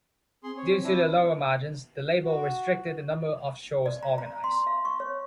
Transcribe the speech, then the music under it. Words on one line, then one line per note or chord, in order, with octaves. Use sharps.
Due to the lower margins, the label restricted the number of shows organized.
C4 G#4 C6
C#5
D4 E4
F#4
D5
A#5
A#5
C6
F5
C#6
C#5